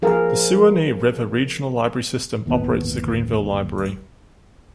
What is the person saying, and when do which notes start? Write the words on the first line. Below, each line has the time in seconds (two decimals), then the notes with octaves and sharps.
The Suwanee River Regional Library System operates the Greenville Library.
0.02 F3 G#4 A#4 F5
2.46 G1 D#2 A2 B3